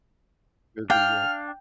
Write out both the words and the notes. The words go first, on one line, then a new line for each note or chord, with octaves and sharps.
review, yeah.
D4 F5 G5 F6